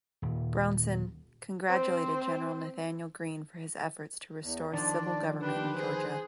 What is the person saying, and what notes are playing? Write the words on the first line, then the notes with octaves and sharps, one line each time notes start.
Brownson congratulated General Nathanael Greene for his efforts to restore civil government in Georgia.
D#1
C4 C5
E2
D#3 F3 D4 D5
D4 G4 B4
G#4 C5